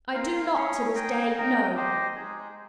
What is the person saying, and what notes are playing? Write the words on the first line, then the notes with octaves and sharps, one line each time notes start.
I do not to this day know.
F4 A#4 F5
C#4 G#4 C#5
D#4 G#4 D#5 G5
D#4 A#4 D#5 G5
G4 C5 D#5
G#3 D#4 G#4